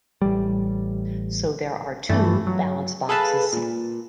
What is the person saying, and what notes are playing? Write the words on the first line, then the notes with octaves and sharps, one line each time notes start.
So there are two balance boxes.
A1 G3
G2 E3 A3
F#3
G#4 A4 B4 F5 A5
A#2